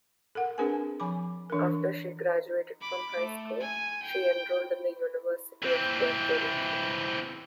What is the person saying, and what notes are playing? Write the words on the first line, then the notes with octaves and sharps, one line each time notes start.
After she graduated from high school, she enrolled in the University of Puerto Rico.
A4 A#4 F#5
C4 D4 G#4 A#4 B4 G#5
F3 G#5 B5 D6
E3 D4 A4 A#4
B5 D6
A3
G#5
G5
E3 C4